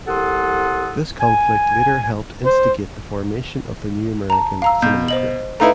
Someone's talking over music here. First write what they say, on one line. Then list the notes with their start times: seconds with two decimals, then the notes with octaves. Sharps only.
This conflict later helped instigate the formation of the New American Cinema Group.
0.08 C2 A4 F#5 C6 D#6
1.20 G#5
2.45 C5
4.30 A5 A#5
4.62 F5 A#5 E6
4.82 B2 G6
5.08 C5 D#5 F#7
5.60 A3 D#4 E4 B4 F5 A#5